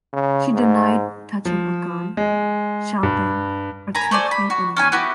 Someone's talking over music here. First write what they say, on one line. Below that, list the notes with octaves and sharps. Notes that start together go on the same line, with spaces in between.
She denied touching a gun, shouting, or threatening anyone.
C#3
G#2
F3
G#3
G2
A#4 G#5 A#5 B5
A3 C5 D5 G#5
B5
F#4
C#4 D#4 G#5
B3 E4 F#4 G4